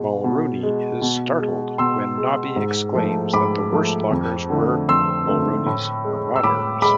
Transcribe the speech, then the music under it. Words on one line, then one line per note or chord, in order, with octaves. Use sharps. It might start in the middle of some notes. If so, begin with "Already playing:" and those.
Mulrooney is startled when Knobby exclaims that the worst loggers were "Mulrooney's Marauders".
Already playing: B2 G#3
B2
G#3
B2
G#3
B2 C6 E6
G#3
G#2
F3 A3
G#2 B5 D6
F3 A3
F2
D3 A3
F2 C6 E6
D3 A3
A2
G#3
E6
A2 B5 D6
G#3 B5 D6